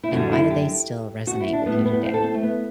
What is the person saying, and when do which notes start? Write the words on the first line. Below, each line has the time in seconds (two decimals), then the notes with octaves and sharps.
and why do they still resonate with you today?
0.03 E4
0.12 F#2 D3 G3 F#4
0.32 E4
0.50 G4
1.27 F#4
1.40 E4
1.53 D4
1.66 A2 G3 B3
1.85 B3
2.05 C4
2.14 A4
2.24 C4
2.34 A3
2.43 B3